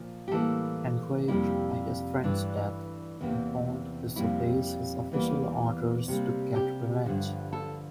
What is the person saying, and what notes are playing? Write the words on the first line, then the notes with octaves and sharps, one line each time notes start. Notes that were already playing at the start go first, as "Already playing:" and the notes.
Enraged by his friend's death, Bond disobeys his official orders to get revenge.
Already playing: A#2 F3
G4
A2 E3 G3 A#3 A4
F2 C3 G3 A#3 E4
G2 E3 A3 D4
E2 C3 E3 A#3
F2 C3 G3 A#3 E4
E2 E3 G3 A#3
C3 G3 A#3
G4
G2 D3 F3
A4